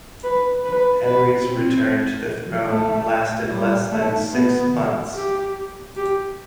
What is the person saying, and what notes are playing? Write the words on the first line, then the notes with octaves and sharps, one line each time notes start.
Henry's return to the throne lasted less than six months.
B4
B4
B4
C4
A3
G3
A3
B3
G4
G4